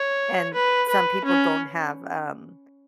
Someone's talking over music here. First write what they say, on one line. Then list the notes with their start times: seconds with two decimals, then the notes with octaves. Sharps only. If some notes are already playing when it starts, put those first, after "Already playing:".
and some people don't have, um
Already playing: C#5
0.54 B4
0.89 B4
1.25 C#4